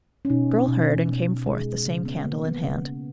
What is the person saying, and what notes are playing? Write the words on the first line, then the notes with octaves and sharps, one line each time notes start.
The girl heard, and came forth, the same candle in hand.
C#4
B2 D#4
B2
B2
G#3
C#3
B3
G#3 A#3
B3
C#3